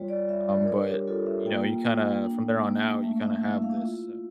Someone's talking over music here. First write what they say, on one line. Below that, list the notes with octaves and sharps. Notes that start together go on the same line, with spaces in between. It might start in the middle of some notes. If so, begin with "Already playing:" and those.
Um, but, you know, you kinda from there on out, you kinda have this, uh,
Already playing: G3 F4 C#5
D5
G3 E5
D5
A#4
D4 C#5
G4
F4 A4
E5
A#3 G5
A#3
D4
A#3
A3 E5
E5
E4 E5
F5
F4